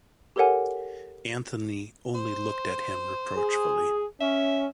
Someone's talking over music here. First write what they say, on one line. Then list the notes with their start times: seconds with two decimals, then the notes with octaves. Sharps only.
Anthony only looked at him reproachfully.
0.36 G4 A4 A#4 C#5 F#5 G#5
2.15 C5
3.37 G#4
4.21 C#4 E5